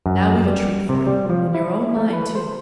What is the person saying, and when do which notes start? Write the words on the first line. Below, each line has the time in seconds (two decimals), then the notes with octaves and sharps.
Now we've a treat for you, in your own line, too.
0.06 F#2
0.46 G3
0.89 C3
1.07 G3
1.30 F3
1.54 E4
1.96 A3
2.13 B4
2.35 C5